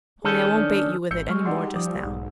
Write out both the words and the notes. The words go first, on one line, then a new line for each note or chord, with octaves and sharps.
Only I won't bait you with it any more just now.
D#3 C#4 G#4 A4
D4
G#1 E6 G6 C#7
G#3 C#6 F6
G3 D#4 F#4 D5 F#5 C6 D6
F3 D6 D#6
B1 G#2